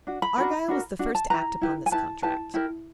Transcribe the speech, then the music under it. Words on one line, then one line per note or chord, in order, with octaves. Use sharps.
Argyle was the first to act upon this contract.
D4 F#4
B5
D4 F#4 A#4
D4 F#4 A#4
D4 F#4
A5
E4 G4 B4 A#5
E4 G4 B4
G#5
E4 G4 B4 A5
E4 G4 B4 A5
E4 G4 A#4